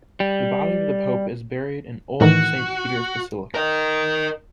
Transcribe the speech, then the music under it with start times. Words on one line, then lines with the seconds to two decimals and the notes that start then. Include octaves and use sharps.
The body of the pope is buried in Old Saint Peter's Basilica.
0.20 G3
2.21 A2 D#3 E3 F#4
3.55 A#4 D#5